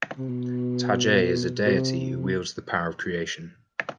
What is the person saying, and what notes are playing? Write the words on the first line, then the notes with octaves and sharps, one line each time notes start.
Tajai is a deity who wields the power of Creation.
C3
B2
B2
C3